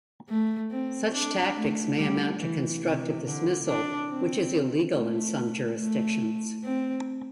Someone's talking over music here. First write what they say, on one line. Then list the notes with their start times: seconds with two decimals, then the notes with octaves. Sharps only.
Such tactics may amount to constructive dismissal, which is illegal in some jurisdictions.
0.29 A3
0.71 C4
1.13 D4
1.55 A3
1.98 G3
2.40 E3
2.82 C3
3.25 D3
3.66 D4
4.09 C4
4.93 A3
5.78 A3
6.63 C4